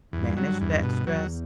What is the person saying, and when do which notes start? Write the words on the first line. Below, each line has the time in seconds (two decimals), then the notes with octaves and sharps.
manage that stress,
0.13 E2 G2
0.37 F#3
0.61 E2
0.83 B2
1.07 E2 F#3